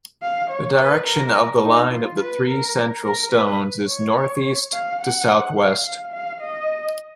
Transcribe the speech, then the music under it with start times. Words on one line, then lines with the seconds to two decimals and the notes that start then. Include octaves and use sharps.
The direction of the line of the three central stones is northeast to southwest.
0.23 F5
0.50 C#5
0.79 B4
1.07 A#4
1.64 D#4
1.92 F4
2.20 B4
2.48 A#4
3.04 A#4
3.32 B4
3.88 C#5
4.73 F5
5.01 F#5
5.57 F5
5.85 F5
6.13 F5
6.41 D#5